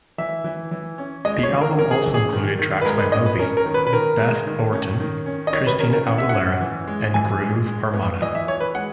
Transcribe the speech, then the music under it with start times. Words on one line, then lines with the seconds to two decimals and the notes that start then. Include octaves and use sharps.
The album also included tracks by Moby, Beth Orton, Christina Aguilera, and Groove Armada.
0.18 E3 E5
0.44 E3
0.71 E3
0.98 C#4
1.25 G#3 D#5
1.43 C#5
1.52 E3
1.61 A#4
1.79 C#4 A#4
1.91 G#4
2.05 E3
2.14 G#4
2.33 D#3
2.59 D#3
2.81 B4
2.85 G#3 A#4
2.99 B4
3.12 C#4 D#5
3.26 B4
3.39 C#4 A#4
3.57 A#4
3.66 D#3
3.74 B4
3.87 B4
3.93 D#3 A#4
4.19 G#3
4.47 D#3
4.73 C#4
5.00 D#3
5.26 C#4
5.47 D#5
5.53 D#3 C#5
5.67 B4
5.80 C#4 A#4
5.93 A#4
6.07 C#4 F#5
6.18 E5
6.29 C#4 F#5
6.61 E3
6.87 G#3
7.14 E3 G#5
7.41 G#3
7.67 G#3
7.94 B3
8.21 E3 D#5
8.35 E5
8.47 E3 C#5
8.60 B4
8.74 G#3 F#5